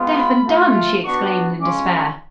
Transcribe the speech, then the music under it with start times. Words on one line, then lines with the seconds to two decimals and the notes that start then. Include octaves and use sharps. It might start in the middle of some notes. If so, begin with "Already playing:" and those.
"Deaf and dumb!" she exclaimed in despair.
Already playing: G#3 B3 F4
0.18 B5
0.47 A3 F4
1.04 B3 D4 F#4 C#6
1.61 G#3 C#4 F4 D6
1.90 C#6